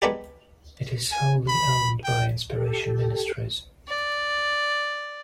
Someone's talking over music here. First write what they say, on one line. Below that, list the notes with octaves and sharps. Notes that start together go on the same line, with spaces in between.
It is wholly owned by Inspiration Ministries.
G#3 B3 D4 D#4 G4 G#4
G#5
B5
G5
G4 A4
D5